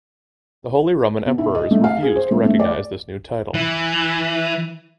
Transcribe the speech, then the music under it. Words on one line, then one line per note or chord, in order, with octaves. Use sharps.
The Holy Roman emperors refused to recognise this new title.
B2
E4
D#5
A3
F5
G#4
C5
A3
A3
D5
E3